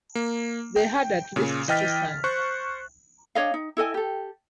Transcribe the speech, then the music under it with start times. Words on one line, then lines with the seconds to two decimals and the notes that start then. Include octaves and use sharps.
They had at least two sons.
0.15 A#3
0.76 G5
1.36 A#2 C#3
1.68 E3 D#5 G5 F6 A6 B6
2.24 C5 C#6 F#6
3.35 D4 C#5 D#5 F5
3.54 D#4
3.77 E4 A4 D#5 G#5
3.94 G4 A4